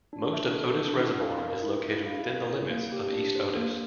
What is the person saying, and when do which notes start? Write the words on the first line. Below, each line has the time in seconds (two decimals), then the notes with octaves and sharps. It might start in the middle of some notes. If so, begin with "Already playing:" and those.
Most of Otis Reservoir is located within the limits of East Otis.
0.13 D4
0.34 E5
0.55 A4
0.77 D4
0.99 E4
1.20 F5
1.41 A#4
1.63 E4
1.84 E4
2.06 F5
2.28 A#4
2.50 E4
2.70 A#3
2.92 G4
3.13 D4
3.35 C5
3.57 A#3